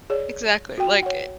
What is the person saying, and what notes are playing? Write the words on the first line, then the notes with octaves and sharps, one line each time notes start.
Exactly. Like,
G#4 C#5 D5
F#4 G5
C#5 F#5